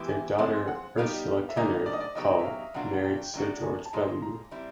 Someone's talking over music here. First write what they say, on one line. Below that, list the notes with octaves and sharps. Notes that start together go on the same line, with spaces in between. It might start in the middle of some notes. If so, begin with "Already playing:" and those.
Their daughter Ursula Kennard Cull married Sir George Bellew.
Already playing: E3 G#3 B3 E4 G4
G#5
F3 G#3 C4 F#5
F#5
G3 B3 D#4 G4 F5
E5
D3 G3 A#3 D#4 D#5
D5
D#5
D5
C#3 F#3 B3 D#4 G4 D#5
E5
F5
B2 F#3 A#3 D4 F4 F#5
F#5
G5
A2 F#3 B3 D4 F#4
G#5
A5
A#2 F3 G#3 A#5
A#5
G3 C4 E4